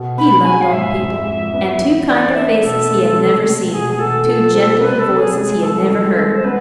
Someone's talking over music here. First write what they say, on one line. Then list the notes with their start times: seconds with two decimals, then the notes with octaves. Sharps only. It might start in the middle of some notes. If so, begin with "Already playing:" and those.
He loved old people, and two kinder faces he had never seen--two gentler voices he had never heard.
Already playing: B2 A4
0.18 B3 B5
0.44 G#4 G#5
0.61 F5
0.72 G#2 E5
0.99 F2
1.27 F2
1.54 B3
1.81 E3
2.08 A4 D5
2.35 D4 E5
2.63 B2 A4
2.91 G#3
3.17 C3
3.44 A3
3.72 B2 G#4
3.89 G#4
3.99 B2 A4
4.26 F3 A4
4.54 C4 A4
4.80 C3 B4
4.99 A4
5.08 C3
5.16 G#4
5.35 G#3 G#4
5.62 C2 A4
5.90 G#3
6.17 G#3
6.33 C5
6.44 B3 B4